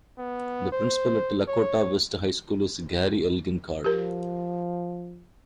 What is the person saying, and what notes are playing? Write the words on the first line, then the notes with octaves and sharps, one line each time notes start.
The principal at Lakota West High School is Gary Elgin Card.
B3
C5
C#5
F3 G4 A#4